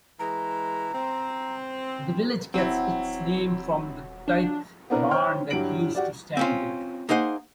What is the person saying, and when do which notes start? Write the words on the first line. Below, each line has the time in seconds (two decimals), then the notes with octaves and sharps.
The village gets its name from the tithe barn that used to stand there.
0.19 E3 G#3 A#5
0.94 C4
2.54 D#1 F#3 C4 E4
4.28 D4
4.90 B3 C4 D4 E4 A#4 B4
5.11 C5 C#5 G5 F6
5.50 G2 F#3 E4 G4 D7 F#7
5.95 F#4 G4 D5
6.37 C4 C#4 F4
7.09 A#3 D#4 G#4 C5 F#5